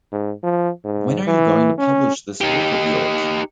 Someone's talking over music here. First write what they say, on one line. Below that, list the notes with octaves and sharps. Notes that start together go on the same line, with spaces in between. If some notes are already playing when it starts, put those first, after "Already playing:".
When are you going to publish this work of yours?
G#2
F3
G#2
E3
C#4
D#4 G4